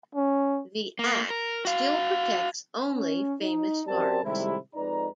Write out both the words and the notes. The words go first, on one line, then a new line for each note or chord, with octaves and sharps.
The Act still protects only famous marks.
C#4
A#3
A#4
F#4 F5
C#4
D#4
F#2 C4 G4 A#4 D5 A5
A2 C3 D#3 G3 G#3 E4
F2 G#3 D#4 B4 D5 A#5